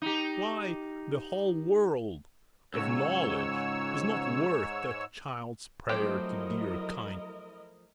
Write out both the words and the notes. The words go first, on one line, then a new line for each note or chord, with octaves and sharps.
Why, the whole world of knowledge is not worth that child's prayer to 'dear, kind God'!
D#4 G4
C#2 G#2 C#5 E6
F3 F#3 A3 C4 E4 G4 A#4 D#5